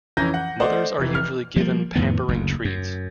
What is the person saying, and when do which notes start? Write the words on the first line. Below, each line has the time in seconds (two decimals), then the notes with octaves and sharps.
Mothers are usually given pampering treats.
0.17 F2 E3 C#4 A#5 G6 A#6
0.34 F#5
0.60 A3 C5 D5 D#5 F#5
0.99 F1 E3
1.15 F6
1.56 F3 G3 G#3 A#3
1.96 F2 A2 D#3 B3
2.28 F#1 D2
2.65 F#2